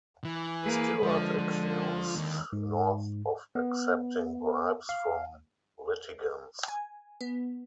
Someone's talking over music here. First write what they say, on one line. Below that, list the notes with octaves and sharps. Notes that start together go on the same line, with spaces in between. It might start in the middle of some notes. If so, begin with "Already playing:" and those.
Stewart accused North of accepting bribes from litigants.
E3
A#3 G#4 B4
D3 F3 G#3
F3
D#2
G#2
B3
F5
G#5
B3